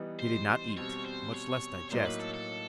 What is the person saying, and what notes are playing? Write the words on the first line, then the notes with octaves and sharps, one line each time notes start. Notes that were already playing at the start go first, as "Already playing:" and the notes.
They did not eat, much less digest.
Already playing: E3 G3 B3 D#4
C5
B2 G3 C4 C#5
C5
C#5
A2 F#3 A#3 D#4 C5
B4
A4
A4